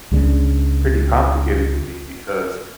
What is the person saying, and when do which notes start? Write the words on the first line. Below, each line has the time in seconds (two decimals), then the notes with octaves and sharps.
pretty complicated to me, because,
0.11 C#2 C#3 F#3 D4